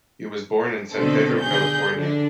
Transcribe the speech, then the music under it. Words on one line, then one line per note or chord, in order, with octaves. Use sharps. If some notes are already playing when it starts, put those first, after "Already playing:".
He was born in San Pedro, California.
B2 D3 D#3 C4 A4
D3 G#4 G6
D3 D4